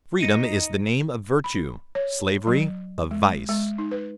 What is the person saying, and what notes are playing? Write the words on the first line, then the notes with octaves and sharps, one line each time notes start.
Freedom is the name of virtue: Slavery, of vice. . . .
D#4 A#6 C#7 D#7
B5
C#5
F#3
G#3
G#3
D#4
B4